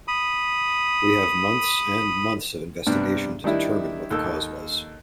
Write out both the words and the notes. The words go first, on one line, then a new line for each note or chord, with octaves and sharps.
We have months and months of investigation to determine what the cause was.
B5 D#6
G2 C3 B3 D4
D#3 G3 D4 E4
D#2 A#3 A4 E6